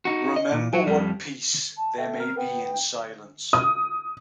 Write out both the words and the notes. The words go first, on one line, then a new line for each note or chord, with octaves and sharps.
Remember what peace there may be in silence.
D#4 F#4
D#5
A#2
F#3 F#4
F2 G3
A5
A3 G5
C4 A#4
B3 G5
D#6